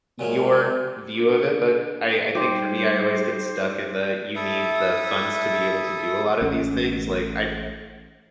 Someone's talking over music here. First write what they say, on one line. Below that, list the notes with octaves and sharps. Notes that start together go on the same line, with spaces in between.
your view of it, but I I think for me, I always get stuck in the, "You need the funds to be able to do a lot of these things," like, I
A#2 F#3 G#3 A#3
D4 A#4
G3 D#4 G4 C5 C6 D6
E4 A4 E5 D#6
A1 A2 C#4